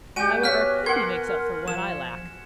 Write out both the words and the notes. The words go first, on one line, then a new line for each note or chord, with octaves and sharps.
However, Hippy makes up for what I lack.
G#3 F#4 G4 D5 G#5 G6 D#7
B3 B4 C#5 F6 F#6 B6
A#4 F#5 C6 G#6
F3 G#6 E7